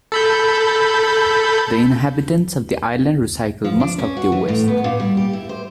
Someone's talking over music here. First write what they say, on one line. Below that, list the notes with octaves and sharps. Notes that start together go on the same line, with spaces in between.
The inhabitants of the island recycle most of their waste.
A4 B5 G6
F3
D4
C#4
F#4
E3
A2
B3
A#2
G3
G4
E4
C5